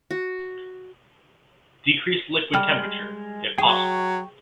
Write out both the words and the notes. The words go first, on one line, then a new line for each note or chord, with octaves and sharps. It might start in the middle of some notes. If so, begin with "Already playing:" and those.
Decrease liquid temperature if possible.
F#4
G3 G#3 F6
F#3 G#4 G5 C#6